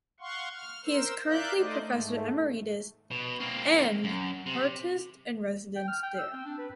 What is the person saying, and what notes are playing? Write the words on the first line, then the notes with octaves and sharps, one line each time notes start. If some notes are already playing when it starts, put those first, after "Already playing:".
He is currently Professor Emeritus and Artist in Residence there.
F5 F#5 C6 C#6
F6
A#4 C5 E6
A#4 D5 E5 F5 F#6 G6
A3 D#4 C5 D5 D#5
G#2 A3
B2
A#3 C4
F#2
C3
G5
F6
G5
E6
C4
D4
B4